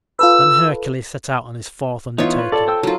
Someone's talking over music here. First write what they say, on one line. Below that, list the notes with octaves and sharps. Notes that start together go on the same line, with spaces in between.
Then Hercules set out on his fourth undertaking.
F4 A4 B4 E6
E3 B3 D#4 F4 C#5
B4
A4 D5
C5 G5 E6
F#3 D#4 F4 A#4 C5